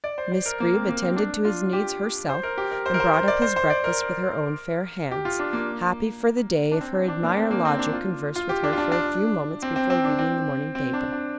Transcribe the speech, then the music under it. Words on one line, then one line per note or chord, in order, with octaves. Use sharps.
Miss Greeb attended to his needs herself, and brought up his breakfast with her own fair hands, happy for the day if her admired lodger conversed with her for a few moments before reading the morning paper.
D5
C5
C5
A#4
A#3
C4
A#3
C4
D4
F4
G4
C5
A#4
G4
A#4
C5
A#4
C5
C5
D5
C5
C5
D5
A#4
G4
F4
D4
A#3
D4
C4
D4
D4
A#3
D4
C4
A#3
C4
D4
F4
F4
G4
D4
F4
D4
D4
C4
C4
C4
D4
C4
C4
D4
D4